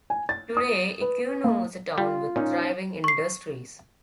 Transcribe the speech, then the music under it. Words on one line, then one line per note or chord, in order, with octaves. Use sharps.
Today, Ikuno is a town with thriving industries.
G#5
A6
D#6
B4
A#3
G3 F4
A#2 C#4 D#4
C#6 C7